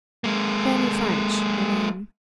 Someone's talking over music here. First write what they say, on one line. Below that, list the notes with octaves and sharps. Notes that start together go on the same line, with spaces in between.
Fanny French, her name.
G#3 A#3